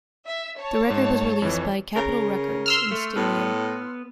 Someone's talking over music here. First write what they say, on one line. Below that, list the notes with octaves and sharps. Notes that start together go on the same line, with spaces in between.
The record was released by Capitol Records in stereo.
E5
C#5 A5
G#2
F2 E3
C#3 A#4
C6 E6 F6
A3
A2 B3